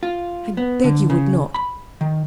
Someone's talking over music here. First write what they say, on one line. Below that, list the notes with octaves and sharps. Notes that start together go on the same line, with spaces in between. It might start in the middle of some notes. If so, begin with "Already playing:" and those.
I beg you would not.
F4
B3
D3
C#3
B5
D#3